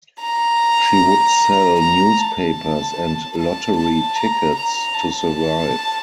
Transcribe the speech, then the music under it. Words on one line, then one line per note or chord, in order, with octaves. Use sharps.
She would sell newspapers and lottery tickets to survive.
A#5
A#5
A5
A5
A5
A#5
A#5
A5